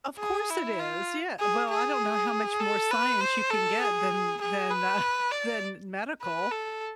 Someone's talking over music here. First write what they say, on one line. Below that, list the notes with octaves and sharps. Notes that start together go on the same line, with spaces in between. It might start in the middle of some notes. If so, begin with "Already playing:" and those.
Of course it is. Yeah, well, I don't know how much more science you can get than than, uh, than medical.
G#4
E4
F4
G#4
G#4
A4
B4
C5
A4
G#4
G#4
B4
D5
B4
A4